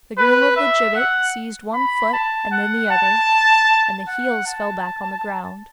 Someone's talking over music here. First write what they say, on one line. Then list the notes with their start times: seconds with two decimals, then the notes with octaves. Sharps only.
The groom of the gibbet seized one foot and then the other, and the heels fell back on the ground.
0.18 B4
0.57 E5
0.96 F#5
1.74 B5
2.13 A5
2.52 F#5
2.91 A5
4.08 F#5
4.47 A5